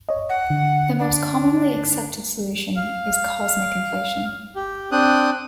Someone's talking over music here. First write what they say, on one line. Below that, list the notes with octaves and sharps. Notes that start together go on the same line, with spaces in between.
The most commonly accepted solution is cosmic inflation.
C#5 D#5
F#5
D3
D4
F5
G4
C4 D4 G5 D#6 F#6